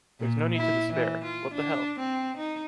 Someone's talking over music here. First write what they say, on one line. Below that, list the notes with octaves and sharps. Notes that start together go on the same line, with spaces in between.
There’s no need to despair; what the hell.
A#2
E4
E3
F4
D4
C4
D#4